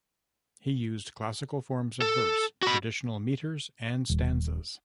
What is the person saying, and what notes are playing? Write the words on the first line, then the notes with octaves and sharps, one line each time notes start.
He used classical forms of verse, traditional metres and stanzas.
A4
F#4 B5
D#1